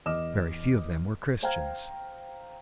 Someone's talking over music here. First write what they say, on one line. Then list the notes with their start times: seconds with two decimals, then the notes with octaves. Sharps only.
Very few of them were Christians.
0.06 E2 D#5 D6 F6 E7
1.43 C5 F5 G5 A#5 F6 G#6